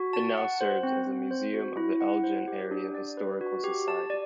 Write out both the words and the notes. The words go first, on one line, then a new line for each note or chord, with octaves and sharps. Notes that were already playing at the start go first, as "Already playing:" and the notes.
It now serves as a museum of the Elgin Area Historical Society.
Already playing: F#4
A5
F#5
C5
C4
C4
C5
F#4
E4
F#5
C5
G4
D4
D5
B4
F#4
G4
A5
D5